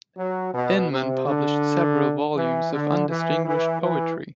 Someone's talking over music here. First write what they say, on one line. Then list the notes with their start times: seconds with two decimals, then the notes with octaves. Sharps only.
Inman published several volumes of undistinguished poetry.
0.18 F#3
0.54 B2
0.91 C3
1.27 D3
2.36 E3
2.73 D3
3.09 E3
3.45 E3
3.82 E3